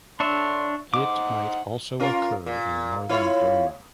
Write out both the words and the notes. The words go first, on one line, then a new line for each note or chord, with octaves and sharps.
It might also occur in northern Burma.
D3 D4 C#5 E5 C6
D#4 C5 F#5 D6
C#4 F4 A#4
A#2
E4 F4 C#5